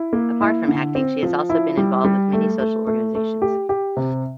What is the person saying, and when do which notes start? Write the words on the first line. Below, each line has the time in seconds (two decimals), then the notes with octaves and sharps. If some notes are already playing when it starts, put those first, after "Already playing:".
Apart from acting she has also been involved with many social organizations.
Already playing: E4
0.13 A#3
0.41 E4
0.68 D3
0.95 C4
1.23 F3
1.50 E4
1.77 G3
2.04 G3
2.33 A3
2.60 A3
2.87 A3
3.15 A3
3.42 G4
3.69 G4
3.97 C3